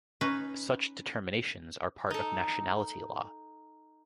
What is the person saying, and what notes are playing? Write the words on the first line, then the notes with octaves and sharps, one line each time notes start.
Such determinations are part of nationality law.
C#4 D#4 B4
D#4 A4